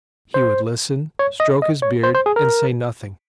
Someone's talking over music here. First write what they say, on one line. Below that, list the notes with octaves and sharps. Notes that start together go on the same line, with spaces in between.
He would listen, stroke his beard, and say nothing.
C5
C#5
D#5
D#5
C#5
C5
C5
G#4
A#4